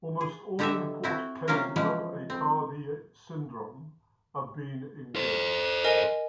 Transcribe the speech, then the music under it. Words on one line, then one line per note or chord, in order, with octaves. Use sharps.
Almost all reported cases of Aicardi syndrome have been in girls.
G#4
D3 B3 G4 A4 D#5 E5
C4 E4 F#4
C3 F#3 A#3 C#4 F4 A#4
E3 F3 G#3 B3 C#4
C4
A4 C5
A#4 D#5 G#5